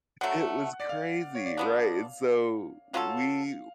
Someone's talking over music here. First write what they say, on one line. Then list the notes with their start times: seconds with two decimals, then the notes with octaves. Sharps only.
It was crazy, right? And so we
0.21 D3 F#3 A3 F#5
0.80 D5
0.89 F5
1.35 C#5
1.45 D5
1.57 G#3 B3 D4 F5
2.93 F#3 C#4 F4 A4 F5